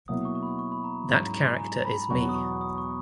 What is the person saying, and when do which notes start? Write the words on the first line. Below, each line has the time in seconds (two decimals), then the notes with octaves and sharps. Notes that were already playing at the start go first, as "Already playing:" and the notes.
That character is me.
0.08 B2 F#3 A#3 E4 D#6
0.25 C#6
0.35 C#6
0.43 B5
0.59 C#6
0.72 B5
0.84 A#5
1.09 G#2 F#3 C#4 E4 A#5
1.27 A#5
1.43 G#5
1.60 A#5
1.74 A#5
1.85 B5
2.02 B5
2.10 E2 B2 F#3 B3 F#4 C#6
2.29 D#6
2.35 C#6
2.61 D#6
2.78 C#6